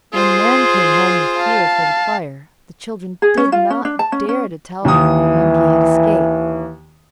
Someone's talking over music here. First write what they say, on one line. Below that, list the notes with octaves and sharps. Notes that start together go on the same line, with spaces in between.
When the man came home with fuel for the fire the children did not dare to tell him that the monkey had escaped.
F4 G#4 C5
F5 A5
G#4
C#4
F4
C#4
D4
A5
C#4
C#4
D#2 E3 D#6